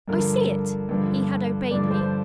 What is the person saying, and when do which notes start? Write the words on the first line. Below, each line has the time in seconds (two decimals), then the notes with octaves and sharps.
"I see it." He had obeyed me.
0.08 G2 D3 F3 A#4
0.89 G2 D3 F3
1.71 G2 D3 F3 D5
1.90 C5